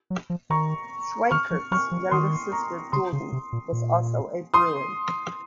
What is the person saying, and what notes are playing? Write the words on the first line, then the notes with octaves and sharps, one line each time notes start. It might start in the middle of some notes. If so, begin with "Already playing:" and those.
Schwikert's younger sister, Jordan, was also a Bruin.
F#3
F3
D#3 A#5 C#6
D#3 C#6 F6
F3
F#3 C#6 F6
F3
D#3 C6 D#6
A#5 C#6
C#3 C6 D#6
C#3
C3
A#2
A#2
C6 D#6